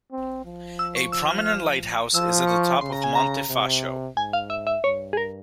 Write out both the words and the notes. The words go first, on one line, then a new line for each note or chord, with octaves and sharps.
A prominent lighthouse is at the top of Monte Facho.
C4
F3
E6
C#6
E6
F6
F3 E6
C#6
C#3 C6
A#5
G#5
A#5
C3
G#2 G#5
F5
E5
E5
G2 C#5
G#4
A#4